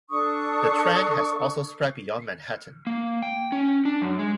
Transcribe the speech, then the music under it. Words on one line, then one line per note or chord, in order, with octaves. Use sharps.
The trend has also spread beyond Manhattan.
D4 A4 C#6 D#6
A#3
G5
C#4
D4
F#2
G#3